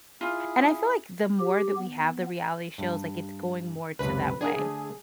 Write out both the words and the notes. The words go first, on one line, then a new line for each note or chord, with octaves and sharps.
and I feel like the more that we have the reality shows, like, it's going more to that way,
E4 F4 G#4
G4
B3
G2
C#2 F#2 C3 B4
D4 D#4 G#4 A#4
D3 A3